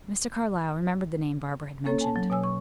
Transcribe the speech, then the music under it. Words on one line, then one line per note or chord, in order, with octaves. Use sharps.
Mr. Carlyle remembered the name Barbara had mentioned.
A#3 C#4 A4 C#5
G#5 A5
F#3
B2 C#5 G#5 E6
C#6